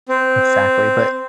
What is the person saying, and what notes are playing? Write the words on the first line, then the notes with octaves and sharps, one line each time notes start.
Exactly, but,
C4